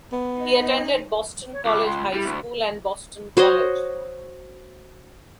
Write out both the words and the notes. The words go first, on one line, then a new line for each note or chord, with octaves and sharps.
He attended Boston College High School and Boston College.
B3
C#5
C#2 D6
C6
G3 E4
D2
F#4 C5 C#5 D#5